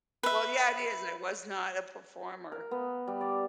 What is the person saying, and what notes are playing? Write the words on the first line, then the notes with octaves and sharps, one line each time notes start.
Well, yeah, it is, I was not a performer.
B4 E5
A#4
B3
G3
D5